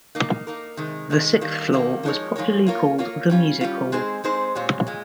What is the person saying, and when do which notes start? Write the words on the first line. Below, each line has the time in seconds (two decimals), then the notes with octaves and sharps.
The sixth floor was popularly called the Music Hall.
0.15 A#3 D#4 A#4
0.47 A#3 D#4 A#4
0.77 C3 D#3 G#3 D#4
1.10 C3 D#3 G#3 D#4
1.41 D#3 G3 A#3
1.73 D#3 G3 A#3
2.03 F3 G#3 D#4 A#4 C#5
2.36 F3 G#3 D#4 A#4 C#5
2.67 A#3 F4 A#4 C#5
2.98 A#3 F4 A#4 C#5
3.30 G3 C#4 F4
3.61 G3 C#4 F4
3.92 G#3 C4 D#4 G#4 C5
4.24 G#3 C4 D#4 G#4 C5
4.55 A#2 G#3 C4 G4 C#5
4.87 A#2 G#3